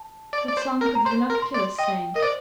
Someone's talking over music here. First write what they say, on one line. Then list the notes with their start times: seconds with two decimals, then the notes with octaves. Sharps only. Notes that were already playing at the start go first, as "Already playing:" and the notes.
What song could the Ranunculus sing?
Already playing: A5
0.33 D5
0.48 D5
0.57 C5
0.81 A#4
0.95 A#5
1.05 C5 C6
1.30 A#4
1.42 C6
1.54 D5
1.78 D#5 G5
2.15 A#4 D#5
2.22 C5 D5